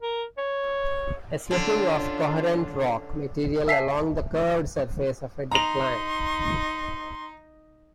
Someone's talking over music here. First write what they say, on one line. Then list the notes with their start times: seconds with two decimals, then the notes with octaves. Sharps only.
A slipping of coherent rock material along the curved surface of a decline.
0.02 A#4
0.38 C#5
1.51 D3 C#4 D4 F4
3.68 E5 G#5 A5 E6 B6 C7
5.51 D#4 A#5 C6 F7